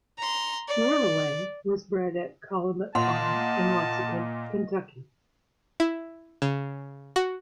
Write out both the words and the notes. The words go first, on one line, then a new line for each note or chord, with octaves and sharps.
Whirlaway was bred at Calumet Farm in Lexington, Kentucky.
A#5 C6
D5
A#2 D#5 F#5 A5 C6
E4
C#3
F#4